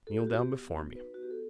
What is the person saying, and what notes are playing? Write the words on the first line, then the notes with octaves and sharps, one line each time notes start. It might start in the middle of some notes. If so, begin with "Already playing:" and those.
Kneel down before me.
F#4 A4
G4
B3 F#4
G4
B3
F#4
D#4 B4
B3 F#4
G4
A4